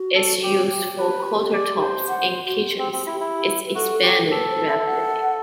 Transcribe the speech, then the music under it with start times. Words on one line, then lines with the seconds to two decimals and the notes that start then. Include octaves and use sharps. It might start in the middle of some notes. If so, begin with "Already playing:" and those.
Its use for countertops in kitchens is expanding rapidly.
Already playing: F#4
0.15 A4
0.43 G4
0.71 G4
0.98 G4 B4
1.53 D5
1.81 C5
2.09 F#5
2.46 F#4
2.65 G4
2.79 C4
2.93 C4
3.06 E4
3.21 E4
3.65 B4
3.75 F#4 A4
3.94 A4
4.03 G4
4.12 A4
4.30 A4 B4
4.49 C5
4.67 E5
4.86 F#5